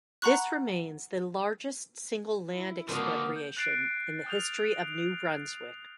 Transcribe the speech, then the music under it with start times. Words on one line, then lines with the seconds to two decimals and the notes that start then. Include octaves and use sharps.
This remains the largest single land expropriation in the history of New Brunswick.
0.22 F#5 A#5 B5 C#6 F#6
2.48 E4
2.89 D3 F3 A#3 F#4 B4 D#6 F6
3.36 G6
3.57 F#6 A6 A#6 C7 D7
4.26 D#6 F6 G6 F7